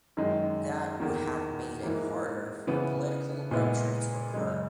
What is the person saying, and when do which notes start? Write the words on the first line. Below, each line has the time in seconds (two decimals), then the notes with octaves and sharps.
That would have made it harder for a political rupture to occur.
0.17 F#2 D#3 G#3 D#4
1.00 E2 D#3 A#3
1.83 G#2 E3 A#3
2.67 C#3 E3 B3
3.51 A#2 G#3 B3 E4
4.34 F#2 C#3 G#3